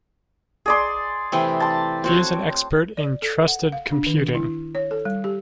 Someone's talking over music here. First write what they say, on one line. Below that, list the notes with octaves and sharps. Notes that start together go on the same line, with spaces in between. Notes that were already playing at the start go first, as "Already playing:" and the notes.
He is an expert in trusted computing.
G#4 D5 C6
C3 E3 A3 C4
A5 C6
C4 F#4 C#5
D5
A4
F#5
F5
D4
D#3
E4
C#5
A4
G3
G4